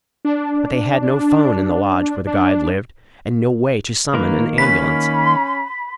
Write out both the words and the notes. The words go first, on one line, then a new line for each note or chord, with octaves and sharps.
But they had no phone in the lodge where the guide lived and no way to summon an ambulance.
D4
D4
D#3 A#3 A#4 B4
C#4 B5 B6